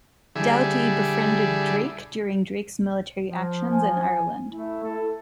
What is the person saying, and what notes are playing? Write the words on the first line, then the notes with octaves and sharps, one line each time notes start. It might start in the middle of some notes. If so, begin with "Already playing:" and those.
Doughty befriended Drake during Drake's military actions in Ireland.
D3 G3 E4 G#4
F3
G#5
A3 E4
A4